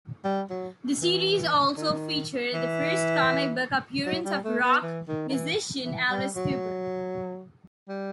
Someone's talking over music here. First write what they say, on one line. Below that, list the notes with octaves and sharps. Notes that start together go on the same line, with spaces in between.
The series also featured the first comic book appearance of rock musician Alice Cooper.
G3
F#3
E3
D#3
E3
F#3
G3
A3
B3
E3
D#3
D#3
E3
E3
G3
F#3
G3